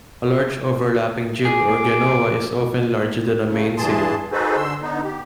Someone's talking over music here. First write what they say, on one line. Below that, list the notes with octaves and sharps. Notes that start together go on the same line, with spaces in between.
A large overlapping jib or genoa is often larger than the mainsail.
G#4 D6
C#3 A3
E2 G2 E3 G#4 A5 C6
D#4 F#4 G#4 A4 B4 C5
D3 C6 E6
D3 B3 D#4
G4